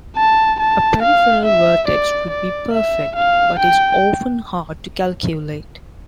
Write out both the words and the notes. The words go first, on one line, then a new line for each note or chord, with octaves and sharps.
A peripheral vertex would be perfect, but is often hard to calculate.
A5
A5
F5
E5
D5
D5
E5
F5
G5